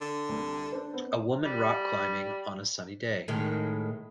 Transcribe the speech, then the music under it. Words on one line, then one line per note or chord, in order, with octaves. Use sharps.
A woman rock climbing on a sunny day.
D3
C2 G3
D4 C5
B3 C4
G3
A2 D#3 G#3